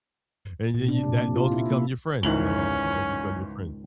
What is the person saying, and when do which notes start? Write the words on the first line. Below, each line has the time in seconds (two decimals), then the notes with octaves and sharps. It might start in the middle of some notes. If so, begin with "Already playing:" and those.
and then you that those become your friends, like I those become your friends.
0.74 A#2
0.89 D4
1.03 C3
1.20 A#3
1.36 F4
1.52 E4
1.70 A#3
2.23 G1 C#2 G#2 D#3 E3 C#4 F#7